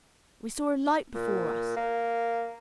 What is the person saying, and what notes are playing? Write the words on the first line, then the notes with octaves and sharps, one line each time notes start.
We saw a light before us.
A#2
A#3